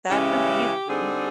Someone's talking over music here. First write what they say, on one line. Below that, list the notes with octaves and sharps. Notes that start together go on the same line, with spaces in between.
That's amazing.
C#3 E3 G#3 C#4 E4 G4
D3 G3 C4 D#4 G#4